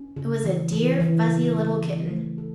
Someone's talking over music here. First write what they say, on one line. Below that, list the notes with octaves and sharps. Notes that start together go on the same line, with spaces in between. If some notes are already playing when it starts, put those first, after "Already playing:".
It was a dear fuzzy little kitten.
Already playing: C#4
C#3
E3
E3
E3
C#3
C#3
E3
A3
A4